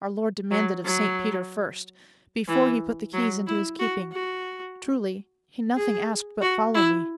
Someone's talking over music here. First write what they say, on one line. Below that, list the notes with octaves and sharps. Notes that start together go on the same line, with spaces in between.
Our Lord demanded of Saint Peter first, Before he put the keys into his keeping? Truly he nothing asked but 'Follow me.'
F#3
F#3
E3
F#3
E4
F#4
F#4
G#4
F#4
E4